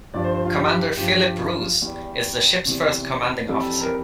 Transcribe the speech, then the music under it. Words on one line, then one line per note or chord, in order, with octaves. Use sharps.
Commander Philip Roos is the ship's first commanding officer.
G2 F3 D5
C5
C5
F4
G4
G2 F3 G4
G4
F4
E2 E3 G3
E2 C3 E3 G3
F2 E3 G3 A4
A#4